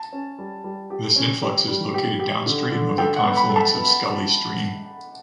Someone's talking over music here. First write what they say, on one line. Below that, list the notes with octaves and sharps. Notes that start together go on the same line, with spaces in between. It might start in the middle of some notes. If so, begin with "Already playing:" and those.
This influx is located downstream of the confluence of Scully stream.
Already playing: A5
C#4
G3
G3
G4
C#4
G4
G3
G4
G4
D3
D3
A4 G5
F#5
B3
B5
A4
A5
B3